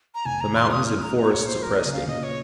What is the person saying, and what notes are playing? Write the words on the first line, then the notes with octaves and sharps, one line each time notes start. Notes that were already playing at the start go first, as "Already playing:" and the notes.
The mountains and forests oppressed him.
A#5
F1 G#5
A#5
D#2
C6
A#2 D#6
F6
G#3
A#5
A#3 A#5
C#5
A#2
C5
F#3 A#4
D#5
C#3
F5
A#2 D#5
C#5